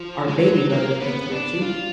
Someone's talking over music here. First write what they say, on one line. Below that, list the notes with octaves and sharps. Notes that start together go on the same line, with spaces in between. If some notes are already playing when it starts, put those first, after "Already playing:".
our baby brother lives here too.
Already playing: F3
G#3
F#3
A#3
B3
B3
D4
F4